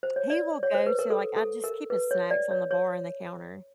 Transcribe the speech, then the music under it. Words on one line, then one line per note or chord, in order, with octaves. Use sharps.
He will go to, like I just keep his snacks on the bar and the counter
C5
C#5
D5
C#5
C5
B4
A#4
A4
A4
A#4
B4
C#5
D5
C#5
C#5